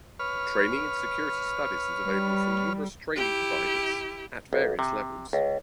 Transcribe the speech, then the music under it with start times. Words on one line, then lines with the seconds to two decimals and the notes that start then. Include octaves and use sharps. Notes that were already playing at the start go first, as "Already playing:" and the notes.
Training in Security Studies is available from numerous training providers - at various levels.
0.19 B4 C#5 F6
2.07 G3
3.16 E4 G4
4.53 B1
4.79 C3
5.33 C#2